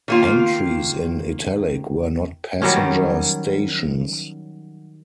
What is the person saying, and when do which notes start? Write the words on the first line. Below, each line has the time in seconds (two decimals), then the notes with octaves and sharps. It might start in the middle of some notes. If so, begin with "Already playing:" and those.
Entries in italic were not passenger stations.
0.08 D#3 A#3 F4
2.62 D#3 F#3 G3 C#4